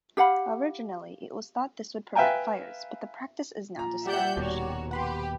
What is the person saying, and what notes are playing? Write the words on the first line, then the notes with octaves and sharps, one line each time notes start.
Originally, it was thought this would prevent fires, but the practice is now discouraged.
G4 F5 F#5 B5
B4 E5 F5 G5 G#5 A#5
A#2 F3 A#5
G3 G4 D5 E5 F#5 G6
D#1 D#2 B2 F#4 C#5
G4 B4 F#5 B5 C6